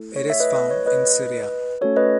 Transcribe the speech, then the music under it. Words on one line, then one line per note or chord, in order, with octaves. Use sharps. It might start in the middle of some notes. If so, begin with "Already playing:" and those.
It is found in Syria.
Already playing: A3 E4 A4
C#5
E5
B4 D#5
B4
C#5
B4 D#5
A3 C#4 F#4 A4 C#5
B4 D#5